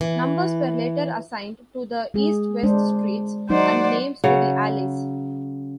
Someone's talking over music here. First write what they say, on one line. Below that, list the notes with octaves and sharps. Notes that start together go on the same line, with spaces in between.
Numbers were later assigned to the east-west streets and names to the alleys.
E3
G#3 G#4
G#3 D4 C5
F#3 D#4 C5 D5 F#5
C#3 F#3